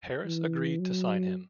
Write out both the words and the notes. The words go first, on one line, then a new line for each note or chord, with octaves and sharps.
Harris agreed to sign him.
E3
F#3